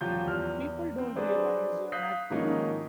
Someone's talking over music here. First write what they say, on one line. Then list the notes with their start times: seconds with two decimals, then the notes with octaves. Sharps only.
People don't realize you're acting.
0.01 D#1 F3 F#3 F4 G4 G6
0.27 E2 F6
0.98 C4
1.16 F#3 D4 G#4 B4 C5 D5
1.92 F5 D#6 F#6 G6 B6 C7
2.30 G#2 D#3 F3 A#3 C#4 D#4